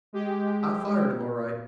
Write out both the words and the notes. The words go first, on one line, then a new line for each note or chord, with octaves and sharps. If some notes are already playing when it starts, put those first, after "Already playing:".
I fired him, all right.
G#3 G4